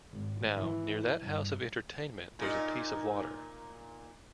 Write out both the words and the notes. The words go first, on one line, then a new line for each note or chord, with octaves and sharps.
Now, near that house of entertainment there's a piece of water.
G#1
E3
G2
A#2 D#4